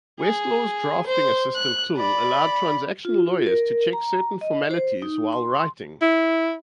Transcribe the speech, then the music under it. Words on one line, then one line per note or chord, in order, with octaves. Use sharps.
Westlaw's drafting assistant tool allows transactional lawyers to check certain formalities while writing.
G#4
C5
F#6
D5 B5
F4
A#4
A#5
D#5
C5
D#4
C6
E4